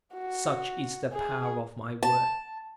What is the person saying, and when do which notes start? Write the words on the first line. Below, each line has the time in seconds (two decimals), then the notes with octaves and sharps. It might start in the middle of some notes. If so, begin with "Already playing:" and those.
Such is the power of my word!
0.14 F#4
1.13 G#4
2.03 A5